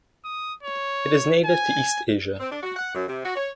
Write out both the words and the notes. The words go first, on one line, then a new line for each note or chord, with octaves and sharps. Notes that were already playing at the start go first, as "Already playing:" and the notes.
It is native to East Asia.
D#6
C#5
G#5
C4
D4
F#4
F#5
F#2
C3
F#4
C#5